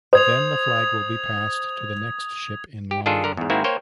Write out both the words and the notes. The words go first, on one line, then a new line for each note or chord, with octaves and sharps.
Then the flag will be passed to the next ship in line.
C5 D#6 G#6 F7
G4
D#3 D4 F4 G#4 A4
D3 A#4
E2 G#2
G#2 D#3 A#3 C4 E4 F#4
A#3 C5 C#5 G5